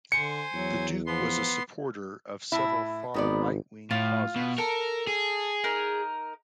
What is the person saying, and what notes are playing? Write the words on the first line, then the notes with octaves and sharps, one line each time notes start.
The Duke was a supporter of several far right-wing causes.
D3 C5 G#5 C#7
E2 F#3
F3 B3 C6
A2 E4
G#1 D#3 B3 D5
A2 F4
B2
A4 A#4
G#4
D#4 A#4